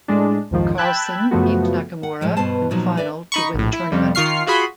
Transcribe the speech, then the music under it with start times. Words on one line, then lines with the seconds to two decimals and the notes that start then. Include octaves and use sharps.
Carlsen beat Nakamura in the final to win the tournament.
0.08 A2 G#3 D4
0.51 C2 F2 G#2 D#3 F3
0.78 G5 A5 B5 E6 F#6 G#6
1.31 F#2 C#3 F3 A3 B3 F#4
2.03 F#5
2.21 A2 F3 G#3
2.37 G2 B2 B3 B4 C5 A5
2.71 A#2 F3 F#3 D#4
2.97 B4 D5 E5
3.32 D#4 B5 C#6
3.54 A#1 A2
3.73 E4
3.92 F2 G3
4.15 D#3 F4 C#6 F6 C7
4.47 F4 F#4 G#4 B5 C6